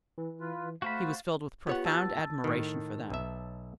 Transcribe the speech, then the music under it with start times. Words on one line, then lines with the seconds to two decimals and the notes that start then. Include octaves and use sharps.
He was filled with profound admiration for them.
0.18 E3
0.41 F4 B4
0.82 A3 F#4 C5 F5 A5 B5
1.67 B3 F4 G4 C#5 F#5
1.85 A5 E6 A6
2.44 A2 D#3
3.10 B1 E5